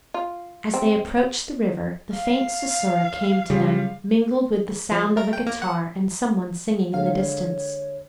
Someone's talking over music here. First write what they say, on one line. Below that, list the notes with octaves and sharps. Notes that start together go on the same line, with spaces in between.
As they approached the river, the faint susurra came to them, mingled with the sound of a guitar and some one singing in the distance.
F4
C4
F5
C#3 G3 F4
F3
A#4
G5
A#3
F#5
D3 G#3 C#5 F5